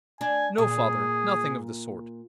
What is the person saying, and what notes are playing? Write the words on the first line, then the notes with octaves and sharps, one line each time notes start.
'No, father, nothing of the sort.
D4 G#5
A#2 G#4